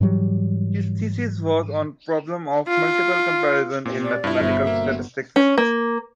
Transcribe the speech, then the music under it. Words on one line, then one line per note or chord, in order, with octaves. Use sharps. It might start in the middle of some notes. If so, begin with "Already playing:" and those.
His thesis was on a problem of multiple comparisons in mathematical statistics.
G#2 E3 F#3 G3
F4
A#2 C4 G4
D5
G2 E4 F4
G1 B2 C5 E5
A#3
C#4
A#3